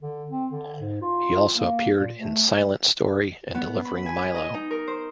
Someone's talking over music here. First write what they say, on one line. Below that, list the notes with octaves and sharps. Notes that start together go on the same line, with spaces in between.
He also appeared in "Silent Story" and "Delivering Milo".
D3
C4
D3
G#2
F4
A#3
A#2
A3
B3
B5
G#5
D#5
D#4
A#4
C5